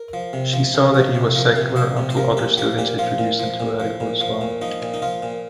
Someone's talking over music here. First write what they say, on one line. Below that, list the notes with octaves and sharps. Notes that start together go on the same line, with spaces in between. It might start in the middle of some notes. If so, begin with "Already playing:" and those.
She saw that he was secular until other students introduced him to radical Islam.
Already playing: A#4
F3
C3
F3
C3
F3
C3
F3 A#4
C3
F3 C5
C3
C5
F3 A#4
A#2 G4
F3 G4
A#2 G4
F3 F4
A#2
F3
A#2
F3
A#2
F3
A#2
F3 D#4
A#2
D#4
F3 F4
A#2